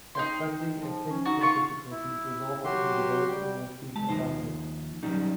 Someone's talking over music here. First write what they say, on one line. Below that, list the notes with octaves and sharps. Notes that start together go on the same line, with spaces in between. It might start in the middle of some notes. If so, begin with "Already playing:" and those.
But funding and technical difficulties resulted in the development work being abandoned.
D#4 G5 C6
F3
C#4
D#4 F#4
F4 C#6
E4
F#3 F#4 G4 C6
G3 G5
G#3 A5
D#2 F3 D#4 C5
F#3 G3 C#4 D#4